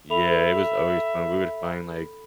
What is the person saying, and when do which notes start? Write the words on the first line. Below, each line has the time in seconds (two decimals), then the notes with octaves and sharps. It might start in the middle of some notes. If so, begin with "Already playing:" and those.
Yeah, it was always fun. We would find, like,
0.10 A4 E5 B5 F7